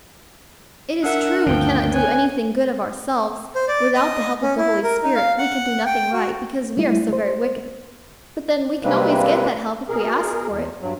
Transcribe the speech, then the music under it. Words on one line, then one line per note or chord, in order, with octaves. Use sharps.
It is true we cannot do anything good of ourselves; without the help of the Holy Spirit we can do nothing right, because we are so very wicked; but then we can always get that help if we ask for it.
D4 A#4 E5 F#5 F#6
D2 G2 D#3 F3 G5
B4 C#5 G#5 F#6
C5
D5
D#5
C#4
E4
A#4
D#4
F5
F#5
G5
F#4
G3 A3 E4
C5
C3 G3 G#3 A#3 C4 B4
B2 G#4 A#4
E2
G2 F#3